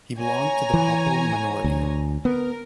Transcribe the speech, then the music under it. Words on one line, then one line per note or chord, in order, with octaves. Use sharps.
He belonged to the Papel minority.
C#5 G#5 A#5
E3
D2
B3 A#4